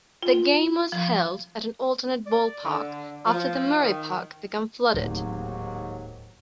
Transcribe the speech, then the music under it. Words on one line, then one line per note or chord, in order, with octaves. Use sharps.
The game was held at an alternate ballpark after the Murray park became flooded.
F4
F3
D5
D3
F3
D#3
D1 D#2 G#2 F#3